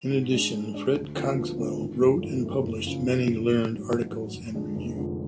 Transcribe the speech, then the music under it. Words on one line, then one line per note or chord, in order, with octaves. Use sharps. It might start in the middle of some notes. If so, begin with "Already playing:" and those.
In addition, Fred Cogswell wrote and published many learned articles and reviews.
G#2
G#3 D4
G#2
G#3 D4
D2
D3 F3 B3 D4
D2
D3 F3 B3 D4
G#1
F#2 F3 A3
G#1
F#2 F3 A3
F#1
F2 C#3
F#1
F2 C#3
A1
G#2 F#3
A1
G#2 F#3
F1
F2 D3 G#3 D4
F1
F2 D3 G#3 D4